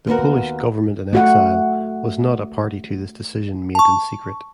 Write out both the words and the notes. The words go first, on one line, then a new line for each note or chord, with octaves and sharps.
The Polish government-in-exile was not a party to this decision made in secret.
D#2 B3 F#4 A#4
A3 F#4 F#5
A5 C#6